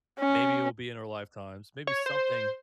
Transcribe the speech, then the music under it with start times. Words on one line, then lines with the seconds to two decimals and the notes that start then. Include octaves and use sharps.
Maybe it will be in our lifetimes. Maybe something,
0.19 C#4
1.87 C#5
2.06 C5